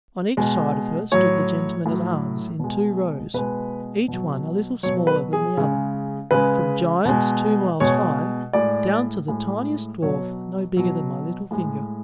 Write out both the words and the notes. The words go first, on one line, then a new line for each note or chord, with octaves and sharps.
On each side of her stood the gentlemen-at-arms in two rows, each one a little smaller than the other, from giants two miles high, down to the tiniest dwarf no bigger than my little finger.
B2 G#3
A2 F#3 C#5
A2
F#3
B2 G#3
B2 G#3 B4
B2 F#3
B2 F#3 C#5
B4
G#4
C#3 G#3
C#3 G#3 B4
B2 G#3
B2 G#3 C#5
A2 G#3 D5
A2 G#3
B2 F#3 C#5
B2 F#3
A2 G#3